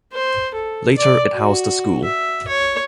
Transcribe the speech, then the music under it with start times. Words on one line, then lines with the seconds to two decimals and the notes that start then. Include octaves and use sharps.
Later it housed a school.
0.13 C5
0.54 A4
0.96 D5
1.33 F#4
2.04 E5
2.48 C#5